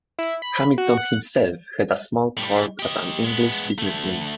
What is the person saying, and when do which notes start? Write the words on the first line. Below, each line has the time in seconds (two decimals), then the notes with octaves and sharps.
Hamilton himself had a small part as an English businessman.
0.19 E4
0.42 B5
0.78 F#4
0.98 F#5
2.37 A2 G3
2.80 G4 D#5
3.24 G#3 B3
3.78 D2 A3